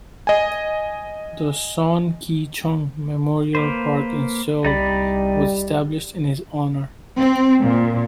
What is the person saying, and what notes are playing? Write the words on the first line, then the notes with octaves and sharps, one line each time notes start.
The Sohn Kee-chung Memorial Park in Seoul was established in his honor.
D#5 G#5
A#3 B4 C5
C2 G3 D#4 D5 B5
C4
A#2